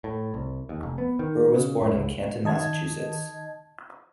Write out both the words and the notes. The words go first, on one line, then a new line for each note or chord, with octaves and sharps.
Burr was born in Canton, Massachusetts.
A2
C2
D#2
F1
B3
D#3
C#3
F#2
C#2
D#3 D#5 A5 G#6